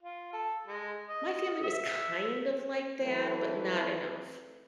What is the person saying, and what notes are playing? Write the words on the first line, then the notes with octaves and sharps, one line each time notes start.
My family was kind of like that, but not enough.
F4
A4
G#3
D#5
E5
E3 F#3 A3 C4 B4